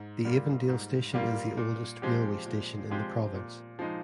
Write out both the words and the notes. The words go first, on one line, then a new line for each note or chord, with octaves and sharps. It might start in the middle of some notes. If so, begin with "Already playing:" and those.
The Avondale station is the oldest railway station in the province.
Already playing: G#2
G3 A#3 F4
G#2
G3 A#3 F4
A#2
F3 G#3 C4 G4
A#2
F3 G#3 C4 G4
A#2
F3 G#3 D#4